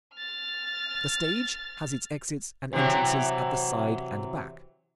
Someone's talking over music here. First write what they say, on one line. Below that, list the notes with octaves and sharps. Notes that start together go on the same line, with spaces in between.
The stage has its exits and entrances at the side and back.
F6 A6
C3 E3 F#3